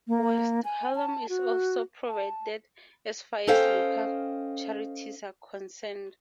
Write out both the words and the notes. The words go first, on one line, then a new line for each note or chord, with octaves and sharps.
West Hallam is also well provided as far as local charities are concerned.
A#3
G#5
A5
F#4
A5
C#4 A4 C5 D#5 F5 G5